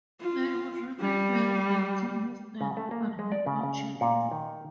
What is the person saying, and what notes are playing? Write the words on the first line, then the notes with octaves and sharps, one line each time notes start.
They would remain married until his death, but had no children.
F4
G3
C#3
A3
A#3
G#3
D5
C#3
C#3
A#2
D#3